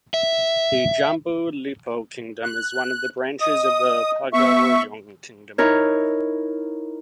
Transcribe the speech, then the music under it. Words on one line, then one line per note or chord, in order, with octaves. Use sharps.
The Jambu Lipo Kingdom is one of the branches of the Pagaruyung kingdom.
E5
F#6
D#5 D#6
B3 E5 C#6
D#4 E4 A#4 C#5